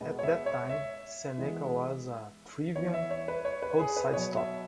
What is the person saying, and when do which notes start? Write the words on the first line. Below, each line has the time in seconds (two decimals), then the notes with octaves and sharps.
At that time Seneca was a thriving roadside stop.
0.01 B2 G#3 B3
0.19 C#5
0.23 E5
0.46 C#5
0.69 E5
1.38 E3 G#3 B3
2.76 E3 B3 C#5
2.94 E5
3.11 C#5
3.28 B4
3.45 C#5
3.62 B4
3.79 G#4
3.97 B4
4.13 B2 F#3 B3 C#5
4.37 E5